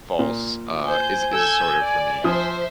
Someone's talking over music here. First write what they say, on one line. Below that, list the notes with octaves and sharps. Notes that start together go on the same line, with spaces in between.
false, uh, is is sort of, for me,
A#2
C5 G#5 G6
A4 E6 G6 G#6
D5
F3 C5 E5 D#6